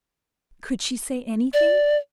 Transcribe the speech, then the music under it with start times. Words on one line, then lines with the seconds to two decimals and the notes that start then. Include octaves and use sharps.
Could she say anything?
1.54 D5